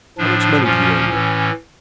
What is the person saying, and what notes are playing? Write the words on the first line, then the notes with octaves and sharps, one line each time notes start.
"How much money do you owe me?"
A2 F3 D4
A#2 F3 C#4
A2 E3 C#4